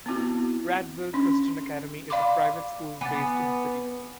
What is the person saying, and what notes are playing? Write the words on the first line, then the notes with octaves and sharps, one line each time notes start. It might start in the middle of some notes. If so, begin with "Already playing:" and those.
Prattville Christian Academy is a private school based in the city.
B3 C4 E4 F#4
C#4 D4 C6
D5 F5 B5 C6 D6
B3 G#5 D6 A6